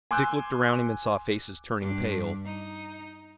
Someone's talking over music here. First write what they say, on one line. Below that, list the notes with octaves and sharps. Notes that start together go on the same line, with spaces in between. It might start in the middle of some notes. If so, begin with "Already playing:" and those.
Dick looked around him and saw faces turning pale.
G#5 C6 D6 E6 F#6 G6
G2 D4
D#4